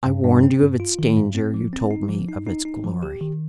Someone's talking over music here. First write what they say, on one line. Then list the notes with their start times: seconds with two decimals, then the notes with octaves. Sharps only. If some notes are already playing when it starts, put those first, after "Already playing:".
I warned you of its danger; you told me of its glory.
0.06 G2
0.24 G2
0.43 C4
0.62 G2
0.80 F4
0.99 D#3
1.17 G2
1.35 C4
1.54 F3
1.73 C4
1.91 D#4
2.09 F3
2.28 D#4
2.47 D#4
2.65 D#4
2.84 F3
3.03 G4
3.21 D#3